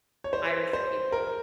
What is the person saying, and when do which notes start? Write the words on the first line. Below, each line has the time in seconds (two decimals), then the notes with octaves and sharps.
Irish people.
0.24 C#5
0.33 C5
0.73 C5
1.12 A#4